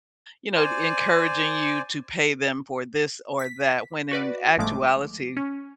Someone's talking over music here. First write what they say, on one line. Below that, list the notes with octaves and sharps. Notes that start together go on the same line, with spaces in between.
you know, encouraging you to pay them for this or that, when in actuality
C5 D5 G#5
B6
F#4 B4 D5
G1 A2 F3 G#3 A3 D6
C#4